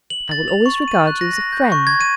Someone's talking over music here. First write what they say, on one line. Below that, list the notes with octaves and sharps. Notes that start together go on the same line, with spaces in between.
"I will always regard you as a friend."
F#7
A6
F7
C#6
D#7
F#6
A#6
A#6
G6
C#6
G#6
D#7